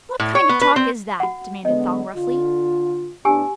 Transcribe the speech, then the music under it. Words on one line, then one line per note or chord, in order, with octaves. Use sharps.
"What kind of talk is that?" demanded Thong roughly.
A2
C#5
B3
B4
C4
F#4 F#5
D3 G#3 B3 D#5
D3 F4
A2 B3 D4 G4 G#5 E6